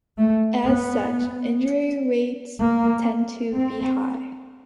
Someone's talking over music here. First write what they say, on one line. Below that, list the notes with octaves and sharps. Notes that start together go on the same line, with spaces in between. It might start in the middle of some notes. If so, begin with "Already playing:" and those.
As such, injury rates tend to be high.
A3
B3
A#3
C4